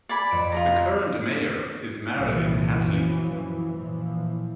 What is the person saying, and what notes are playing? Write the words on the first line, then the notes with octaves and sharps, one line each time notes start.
The current mayor is Marilyn Hatley.
D5 G#5 B5
F2 D7
F4 G#4 A#5
C2 A#2 E3 F3
F#2 B2 E3 F3
A#2 E3 F3